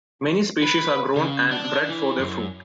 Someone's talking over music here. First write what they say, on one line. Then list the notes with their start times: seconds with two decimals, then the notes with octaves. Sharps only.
Many species are grown and bred for their fruit.
0.63 B4
1.16 C#3
1.51 D4
1.89 E3
2.19 F#2